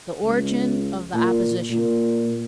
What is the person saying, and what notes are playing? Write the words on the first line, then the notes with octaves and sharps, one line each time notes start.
The Origin of the Opposition.
C#2
A#2
A#2